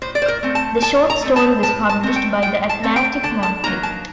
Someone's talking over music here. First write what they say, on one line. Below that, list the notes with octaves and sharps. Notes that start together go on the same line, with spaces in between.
The short story was published by "The Atlantic Monthly".
A2 C5
D5
C5
A#4
A3 C4
A5
A2 A5
A#5
A3 C4
A5
A2 A5
A5
A3 C4
G5
A2 G5
A5
A3 C4
G5
D3 A5
A5
F#3 A#3 D#4 A#5
A5